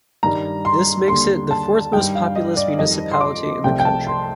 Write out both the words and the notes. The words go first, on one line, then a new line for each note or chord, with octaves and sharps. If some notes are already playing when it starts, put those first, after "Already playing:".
This makes it the fourth most populous municipality in the country.
G2 D#3 G3 A#5
C6
D#2 D3 G3 C6
A5
G2 D#3 G3 G5
F5
D#5
D5
F2 D#3 G3 D#5
C6
D6
C2 C3 F3 A3 G5
G5
A5
C6